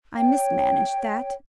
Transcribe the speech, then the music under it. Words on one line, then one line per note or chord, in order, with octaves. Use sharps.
I mismanaged that.
C#5 G5